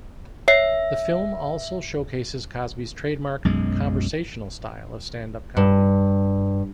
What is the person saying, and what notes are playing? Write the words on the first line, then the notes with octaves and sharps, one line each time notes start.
The film also showcases Cosby's trademark conversational style of stand-up comedy.
C#5 E5 C7
B1 F#2 G#3
G2